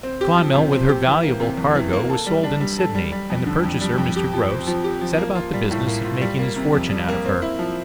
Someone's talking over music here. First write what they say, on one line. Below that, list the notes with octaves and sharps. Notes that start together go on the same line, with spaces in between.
The 'Clonmel', with her valuable cargo, was sold in Sydney, and the purchaser, Mr. Grose, set about the business of making his fortune out of her.
C4
G4
F3
C3
C4
G4
E3
A#3
C3
E2
E3
A#3
A4
G3
D4
G3
A4
G3
G3
F2
D3
F2
G3
F2
G4
F3
C4
F3
G4
F3
A#3
F4
G3
A2
A#3
F4
G3
A#3
C3
F2
G3
A#3
C4
E4
F3